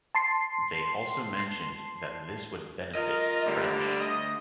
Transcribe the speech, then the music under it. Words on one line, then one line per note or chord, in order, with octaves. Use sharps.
They also mentioned that this would benefit the French.
A5 C6 C7
F4 A#4 D#5
D2 D3 G3
D#5